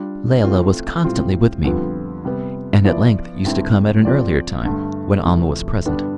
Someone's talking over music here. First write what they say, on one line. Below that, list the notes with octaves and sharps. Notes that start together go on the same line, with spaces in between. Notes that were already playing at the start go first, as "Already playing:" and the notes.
Layelah was constantly with me, and at length used to come at an earlier time, when Almah was present.
Already playing: G3 D4 F4
E3 A3 C4 F4
A2 G3 C4 F4
F2 D3 G3 B3 F4
C3 G3 B3
F3 B3 E4 B4 D5
G2 D3 G3 C4 E4
F3 C4 F4 A4 D5
G2 D3 A3
F2 C3 E3 A3
G2 D3 G3 B3 D4